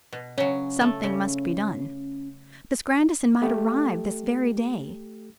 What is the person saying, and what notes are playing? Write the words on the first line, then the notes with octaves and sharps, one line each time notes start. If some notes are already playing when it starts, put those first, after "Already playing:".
Something must be done; Miss Grandison might arrive this very day.
B2
C#3 F#3 C#4
A3
C#3
A3 G4 A4